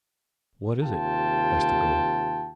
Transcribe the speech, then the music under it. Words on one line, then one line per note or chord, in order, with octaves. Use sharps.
"What is it?" asked the girl.
D#2 C3 F4 G5 A5